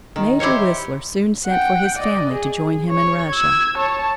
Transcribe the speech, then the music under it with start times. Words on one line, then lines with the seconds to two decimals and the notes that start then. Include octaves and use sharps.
Major Whistler soon sent for his family to join him in Russia.
0.16 D#3
0.40 E4 G4 C5 C#5
1.46 F#5 G5
1.98 D5 D#5
2.33 G#4
2.89 C#5 C#6
3.30 E6 G#6
3.77 C#5 A5